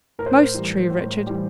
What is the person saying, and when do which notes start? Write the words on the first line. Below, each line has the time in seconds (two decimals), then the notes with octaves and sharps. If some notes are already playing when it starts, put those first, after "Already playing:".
'Most true, Richard.
0.19 A2 A#4
0.26 C5
0.35 A#4
0.54 E3 G3
0.90 A2
1.27 E3 G3